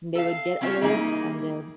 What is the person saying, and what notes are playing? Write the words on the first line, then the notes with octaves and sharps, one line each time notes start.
And they would get a little offended.
A4 F5
F#3 C4 C#4 F4 C#5
E3 G3 A#3 D#4 G#4